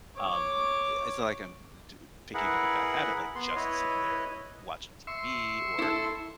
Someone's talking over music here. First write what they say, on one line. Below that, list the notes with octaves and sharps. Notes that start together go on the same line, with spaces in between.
um, eh it's not like I'm d picking up a bad habit, like, just sitting there watching TV, or
C#5 D6
E4 G#4 A#4 B4 F#5
B3 C6
E4 B4 C#5 D#5
E5 C6 C#6
E4 A4